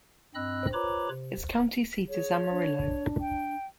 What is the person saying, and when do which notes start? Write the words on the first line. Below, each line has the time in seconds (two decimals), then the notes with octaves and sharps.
Its county seat is Amarillo.
0.35 G2 C4 D#5 B5 E6 F#6
0.73 F4 B4 C#5 A#5 B5 D6
1.09 C3
2.09 G#4 C#5
2.50 D4
3.20 G5